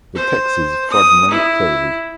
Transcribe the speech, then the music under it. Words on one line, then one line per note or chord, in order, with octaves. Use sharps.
The text is fragmentary.
C5
D#6
E4